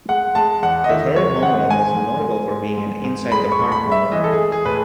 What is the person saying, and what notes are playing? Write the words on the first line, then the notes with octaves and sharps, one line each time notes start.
The third home run is notable for being an inside-the-park home run.
G#3 F#5
G#3 A5
E2 F#5
D#5
D#3 E5
G#3 C#5
D#3 F#5
G#2 G#5
G#2
G#2
G#2
G#2
G#2
G#3 B5
C#6
A2
B5
G#3
E5
E3 D#5
A4
G#4
G#3
G#4
A2 B4